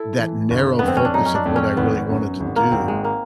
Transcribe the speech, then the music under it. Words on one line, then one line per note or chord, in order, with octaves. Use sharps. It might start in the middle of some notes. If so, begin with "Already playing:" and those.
that narrow focus of what I really wanted to do
Already playing: E4 A4
E3
G1
F2 B3
C4
C#4
D4
F#3 D#4
C#4
D4
F2
C#4
G#1 B3
F#2
G#1
A#3
G#1 C4
G#3
A#3